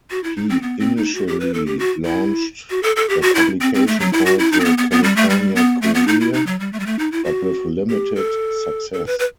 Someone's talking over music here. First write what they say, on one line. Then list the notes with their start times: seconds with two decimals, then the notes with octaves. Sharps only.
He initially launched a publication called the "California Courier," but with limited success.
0.11 F#4
0.24 E4
0.37 D#4
0.49 C4
0.62 B3
0.79 C4
0.97 D#4
1.15 F#4
1.27 G4
1.40 B4
1.54 A4
1.66 G4
1.79 F#4
2.05 E4
2.70 F#4
2.83 A4
2.96 A4
3.09 G4
3.22 F#4
3.35 E4
3.61 C4
3.74 C4
3.87 A3
4.00 F#3
4.13 E4
4.26 F#4
4.39 E4
4.52 D#4
4.60 C4
4.65 B3
4.78 B3
4.91 B3
5.04 G3
5.16 A3
5.30 G3
5.56 B3
5.82 A3
5.95 B3
6.08 D#4
6.21 E4
6.33 D#4
6.47 F#3
6.60 G3
6.73 A3
6.80 G3
6.86 A3
6.99 D#4
7.12 E4
7.25 F#4
7.89 G4
8.16 A4
8.93 A4
9.07 B4
9.19 B4